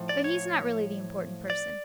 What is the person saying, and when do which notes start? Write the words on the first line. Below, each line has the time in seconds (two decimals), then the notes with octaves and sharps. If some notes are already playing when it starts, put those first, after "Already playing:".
But he's not really the important person.
Already playing: A2 F3
0.09 D5
0.24 C#5
1.50 D5